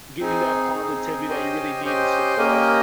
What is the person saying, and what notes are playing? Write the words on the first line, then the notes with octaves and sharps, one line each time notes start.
It gives you that positivity that you really need, and support.
C4 D#4 G#4
C4 D#4 G#4
C#4 G4 C5 D#5 G5
C#4 G4 C5 D#5 G5
A#3 C#4 G4 A#4 D#5